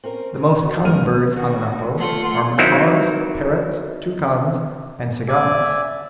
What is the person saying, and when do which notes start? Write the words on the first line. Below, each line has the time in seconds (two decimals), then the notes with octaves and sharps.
The most common birds on the Napo are macaws, parrots, toucans, and ciganas.
0.04 C4 C#4 A#4
0.37 C#3
0.61 B2
0.85 C#2 A#4 F6 D#7
1.33 D#3 F#4
1.97 A3 F4 F#5 C6
2.58 D#3 F#3 A#3 C4 D#4 E4
5.28 D5 E5 G#5